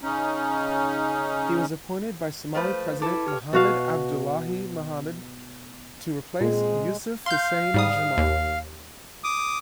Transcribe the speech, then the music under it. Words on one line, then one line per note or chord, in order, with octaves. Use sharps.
He was appointed by Somali President Mohamed Abdullahi Mohamed to replace Yusuf Hussein Jimaale.
C#3 C#4 D#4
F3 A3 B4 C5
E4 A4 B4 A5 D6
G4 F6
B2 F#4 F5
A#2 G#3 C4 G#4
F5 C6 G6
G#2 G3 D#6
D#2
D6 D#6